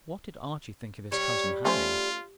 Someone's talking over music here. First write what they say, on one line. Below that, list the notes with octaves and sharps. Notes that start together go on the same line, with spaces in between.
What did Archie think of his cousin Harry?
G3 C#5
A3 C#4 F4 C5